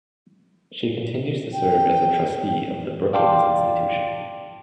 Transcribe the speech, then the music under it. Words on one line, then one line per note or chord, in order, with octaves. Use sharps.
She continues to serve as a trustee of the Brookings Institution.
G5
D5 F5 G5 A5 C6 D6